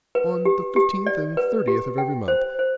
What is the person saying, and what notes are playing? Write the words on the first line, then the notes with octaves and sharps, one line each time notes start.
"On the fifteenth and thirtieth of every month."
B4
G4
G4
D5
B4
G4
G5
C5
C5